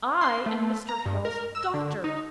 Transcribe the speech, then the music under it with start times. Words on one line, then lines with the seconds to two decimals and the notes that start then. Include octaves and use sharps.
'I am Mr. Hale's daughter.
0.21 C6
0.46 A3
0.89 A#5
1.06 G2
1.25 A#4
1.55 E6
1.74 D3
2.04 D#4